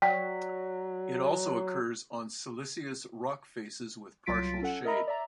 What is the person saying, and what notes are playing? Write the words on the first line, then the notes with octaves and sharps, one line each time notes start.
It also occurs on siliceous rock faces with partial shade.
F#3 D5 G5 B6
C2 F#3 F4 A6 B6 D7
C#4 A4 F#5
A#4 D#5 E5 A#5 B5
D5 E5 A#5